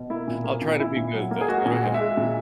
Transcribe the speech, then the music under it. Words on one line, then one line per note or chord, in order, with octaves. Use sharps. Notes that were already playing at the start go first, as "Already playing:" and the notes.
I'll try to be good though. Go ahead.
Already playing: B2
A#3 E4
A#2
A#3
A#2
A#2 E4
A#2
F#3
A#3
G#4
G#3 F#4
A#2
F#4
G#3
E5
G#3
A#2